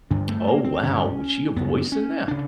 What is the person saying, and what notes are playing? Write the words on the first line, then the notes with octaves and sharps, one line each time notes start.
Oh, wow! Was she a voice in that?
G2 D3 D4
A3
A#3
C4
G2 D3 C#4
F#2 C#3 B3
C#4
C#3 D4